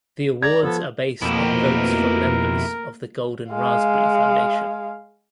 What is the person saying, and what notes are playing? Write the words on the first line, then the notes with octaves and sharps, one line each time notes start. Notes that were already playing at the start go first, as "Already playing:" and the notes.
The awards are based on votes from members of the Golden Raspberry Foundation.
D5 A#5 G#6
F3 B3 A4
F2 B2 A3 A#3 E4 G4 A#4
G#3 F5